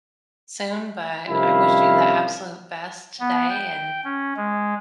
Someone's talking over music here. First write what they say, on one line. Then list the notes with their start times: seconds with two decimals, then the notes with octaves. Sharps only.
soon, but I wish you the absolute best today and,
1.28 C2 F2 D#3 C#4 E4 F5
3.20 B3
3.49 G5
4.04 C#4
4.37 G#3